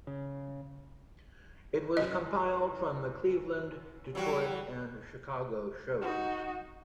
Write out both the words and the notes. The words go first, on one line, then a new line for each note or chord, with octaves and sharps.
It was compiled from the Cleveland, Detroit and Chicago shows.
C#3
F#2 E3 F#4 D#5
E3 F#3 G3 F#4
D#4 F#4